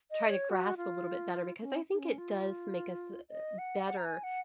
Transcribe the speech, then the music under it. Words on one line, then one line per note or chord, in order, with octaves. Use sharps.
try to grasp a little bit better, because I think it does make us, uh uh better
D#5
C#5
F#4
F4
C#4
D#4
C#4
F4
D#5
F#5
F#5
A#5
G#5
F#5